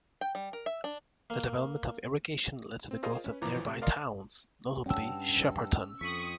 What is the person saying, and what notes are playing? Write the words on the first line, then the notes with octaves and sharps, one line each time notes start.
The development of irrigation led to the growth of nearby towns, notably Shepparton.
G5
G3
A#4
E5
D4
A#3
C4
F4 G#4 A#4 C5 D#5 F5
C#4 B4
G1 E3 F3 A#5 D6
C3 A3
A#4 D5 D#5 F5 C6
G2 C#4 F#5 G5 A5 E6
F2 C#6 D#6 B6 F#7